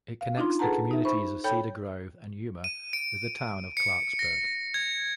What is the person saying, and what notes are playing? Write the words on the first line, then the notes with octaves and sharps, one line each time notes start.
It connects the communities of Cedar Grove and Yuma with the town of Clarksburg.
F5
D4 D#4 F4 C6
G#4 A4 B4 F#5 A5 A#5
D#4 E5
C5 B5 C#6
A4 C#5 G5 B5 G6
D#7
D7
C#7
A#6
G#6